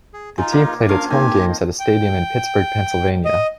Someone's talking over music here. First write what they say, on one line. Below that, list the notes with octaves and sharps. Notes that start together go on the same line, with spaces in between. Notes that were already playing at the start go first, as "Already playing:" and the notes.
The team played its home games at a stadium in Pittsburgh, Pennsylvania.
G#4
D#4 F4 G#5 A#5
A#3
F3 C#4 D4 A#4 F5
A#3 C4 D#4 G4 A#4 G#5
D#5
G5
D#5